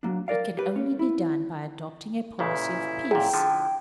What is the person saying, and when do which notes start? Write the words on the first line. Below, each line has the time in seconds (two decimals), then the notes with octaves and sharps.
It can only be done by adopting a policy of peace.
0.03 F#3 A#3 D4
0.28 A#4 D5 F5
0.57 G4 B4
0.76 C#4
0.99 E4
2.39 A1 A#2 C#3 E4
3.11 F#2 A#2 G#4 G5
3.34 D3 F3